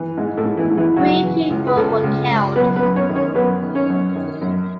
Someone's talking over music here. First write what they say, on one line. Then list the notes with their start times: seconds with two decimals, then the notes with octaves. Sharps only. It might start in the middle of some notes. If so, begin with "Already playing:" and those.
Three people were killed.
Already playing: E3
0.17 G#2 G#3
0.37 A2 A3
0.45 G#2
0.57 E3 E4
0.70 G#2
0.77 E3 E4
0.96 C#3 F#3 F#4
1.23 E3
1.50 C#2
1.67 B4
1.76 C#2 A3 A4
2.03 C#2
2.29 C#2
2.56 F#2 B3 B4
2.76 B3 B4
2.82 F#2
2.96 C#4 C#5
3.09 D#3
3.15 C#4 C#5
3.35 F#2 B3 B4
3.62 D#3
3.75 C#4 C#5
3.89 F#2
4.15 D#3
4.41 F#2